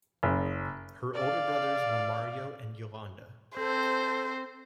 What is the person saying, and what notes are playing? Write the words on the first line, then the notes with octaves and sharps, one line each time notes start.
Her older brothers were Mario and Yolanda.
F#1
D5 F5
C4 A4 C5